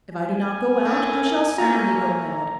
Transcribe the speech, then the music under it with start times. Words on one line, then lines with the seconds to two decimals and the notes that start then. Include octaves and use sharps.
If I do not go out, I shall certainly go mad.
0.11 G#5
0.85 G#2 A3 A#3 A#4
1.58 A#2 A3 A#3 C#4 A#5